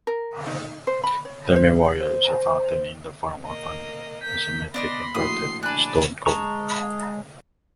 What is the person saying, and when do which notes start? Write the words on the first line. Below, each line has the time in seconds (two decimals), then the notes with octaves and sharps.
The memorial is a fountain in the form of an asymmetric inverted stone cone.
0.07 A#4
0.46 D#4
0.87 C5
1.04 B5
1.25 C#5
1.56 C5
2.00 C5
3.46 A#3 D#5
4.22 A#3 G6 B6
4.74 B3 D4 D5 D#5 B5 C6 A#6
5.15 A#1 A2 F#4 C6 D#6 C7
5.63 D4 D5 G#5 B5 F#6
6.26 G#3 A5 A#5 C#6